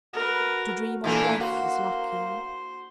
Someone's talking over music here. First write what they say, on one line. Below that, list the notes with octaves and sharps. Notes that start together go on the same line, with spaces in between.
To dream of black is lucky.
F#4 A#4 B4
A#2 E3 A#3 D4 A4
A#3 F#4 C5